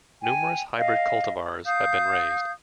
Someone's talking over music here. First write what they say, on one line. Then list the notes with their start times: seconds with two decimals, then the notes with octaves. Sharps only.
Numerous hybrid cultivars have been raised.
0.23 G5 G#5
0.78 D#5 F5
1.66 F5 D#6 G6